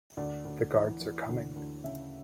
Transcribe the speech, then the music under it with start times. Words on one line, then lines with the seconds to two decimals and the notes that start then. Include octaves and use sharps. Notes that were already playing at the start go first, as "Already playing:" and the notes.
The guards are coming.
0.17 D2 D5
0.45 D2
0.73 E3
1.01 E3
1.29 D2
1.56 D2
1.84 C#3 E5